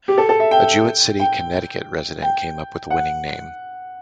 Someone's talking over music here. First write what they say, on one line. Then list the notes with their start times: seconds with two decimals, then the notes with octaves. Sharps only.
A Jewett City, Connecticut resident, came up with the winning name.
0.08 G4
0.18 A4
0.29 A4
0.40 E5
0.51 G5
1.20 G5
2.22 G5
2.90 F#5